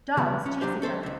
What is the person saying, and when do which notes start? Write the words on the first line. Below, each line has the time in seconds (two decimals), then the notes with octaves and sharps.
Dogs chase each other.
0.17 C#3 F3 G3 B3
0.46 C#4
0.61 F#3 D4 G4 C5
0.82 C#4 A4 C5
1.03 C#2 E5